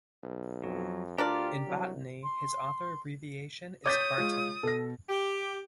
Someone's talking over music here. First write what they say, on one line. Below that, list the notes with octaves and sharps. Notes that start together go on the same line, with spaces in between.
In botany, his author abbreviation is Barton.
B1
F2 F#3
D2 D4 F4 G4 A#4 D5 F6
C2 F#3
C6
C#5 D6 D#6 G6 A6 B6
G#3 F4
B2 A4 A#6
G4